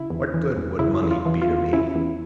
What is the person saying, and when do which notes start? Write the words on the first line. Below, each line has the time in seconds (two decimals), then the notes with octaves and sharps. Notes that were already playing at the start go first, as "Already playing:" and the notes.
What good would money be to me?
Already playing: C#3 E4
0.10 E2
0.34 E3
0.56 E2
0.79 C#3 E4
1.03 E2
1.11 F4
1.25 E3
1.42 F4
1.49 E2
1.73 C#3 E4
1.95 E2